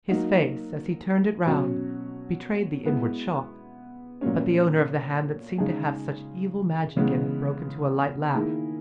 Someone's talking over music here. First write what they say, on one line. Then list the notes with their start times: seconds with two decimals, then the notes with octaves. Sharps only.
His face, as he turned it round, betrayed the inward shock; but the owner of the hand that seemed to have such evil magic in it broke into a light laugh.
0.09 F#3 A#3 D#4 F#4
1.46 B2 F#3 C#4 F#4
2.84 G#3 B3 E4
4.21 A#2 F#3 A#3 C#4
5.58 C#3 G#3 D#4 G#4
6.97 C#3 E3 G#3 B3
8.33 D#3 A#3 E4 G#4